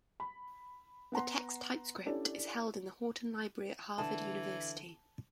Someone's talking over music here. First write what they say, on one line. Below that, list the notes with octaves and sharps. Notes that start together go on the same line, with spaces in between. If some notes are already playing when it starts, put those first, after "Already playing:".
The text's typescript is held in the Houghton Library at Harvard University.
B5
B3 F#5 A#5 C6
C#4 D4 E4 G4 A4 D5
D3 E3 A4 A5